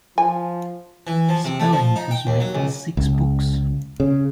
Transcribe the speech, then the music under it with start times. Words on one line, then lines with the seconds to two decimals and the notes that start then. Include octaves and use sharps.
Spelling has written six books.
0.18 F3 G#5
1.07 E3
1.29 F3
1.44 C3
1.60 A3
1.73 F3
1.96 D#4
2.11 G5
2.27 D#2
2.40 F#3
2.55 C#2
2.97 C#2
4.00 C#3